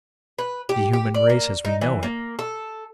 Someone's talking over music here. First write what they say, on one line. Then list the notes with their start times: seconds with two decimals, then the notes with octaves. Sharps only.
The human race as we know it.
0.38 B4
0.69 G4
0.93 G4
1.14 D5
1.30 A#3
1.65 D#4
1.81 E3
2.03 A#3
2.39 A4